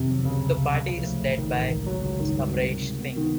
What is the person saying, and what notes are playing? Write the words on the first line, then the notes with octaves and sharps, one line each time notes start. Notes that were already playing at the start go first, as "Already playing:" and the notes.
The party is led by Samresh Singh.
Already playing: F2 C3 D#3 C4
F#3
C#2 C#3
G3
C#2
B1
F3
A3
A1
D#3
A1
C#2
F#3
C#2
G2 D#3
G3
C4
C3
G#3
B3
D#3